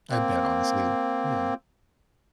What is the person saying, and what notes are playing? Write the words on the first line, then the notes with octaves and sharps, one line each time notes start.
I bet, honestly. Yeah.
A#3 C4